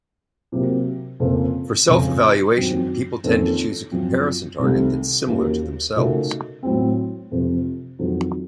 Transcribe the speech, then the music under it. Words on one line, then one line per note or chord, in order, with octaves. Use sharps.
For self-evaluation, people tend to choose a comparison target that is similar to themselves.
C3 F#3 A#3
F2 C#3 F3 A#3 F4
F2 C#3 F3
F#2 D#3 F#3 C4
F2 D#3 A#3 C#4 A4
F#2 F3 C4
C2 C3 D#3 A3
D#2 D#3 A#3 C#4 F#4
C#3 A3 D#4 F#4 A#4
A2 F#3 C4
F2 C3 F3
F2 D#3 F#3